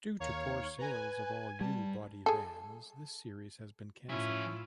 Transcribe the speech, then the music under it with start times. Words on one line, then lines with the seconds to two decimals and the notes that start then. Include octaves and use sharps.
Due to poor sales of all U-Body vans, this series has been cancelled.
0.20 D#2 C#5 F5 A#5
0.78 B4 G#5 A#5
0.93 G#5
1.61 G3 A5
2.26 G#4 A4
4.10 A2 F3 C#4 E4 F4 E5